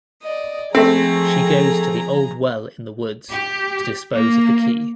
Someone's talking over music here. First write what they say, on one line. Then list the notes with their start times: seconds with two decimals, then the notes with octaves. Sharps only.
She goes to the old well in the woods to dispose of the key.
0.20 D5 D#5
0.75 F3 A3 C4 G#4 A#5
3.32 G4
4.14 A#3